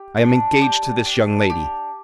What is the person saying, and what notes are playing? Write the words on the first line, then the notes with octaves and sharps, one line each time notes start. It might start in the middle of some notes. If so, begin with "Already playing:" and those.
I am engaged to this young lady.
Already playing: G4
D4
G4
D4
G4